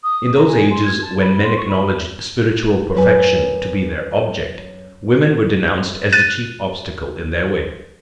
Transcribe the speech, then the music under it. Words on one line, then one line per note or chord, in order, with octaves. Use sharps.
In those ages when men acknowledged spiritual perfection to be their object, women were denounced as the chief obstacle in their way.
D#6
A#5
G#5
C6
G#6
A5
B5
C6
C#6
B5
F#2 B4 G#5
F#6 A6 D#7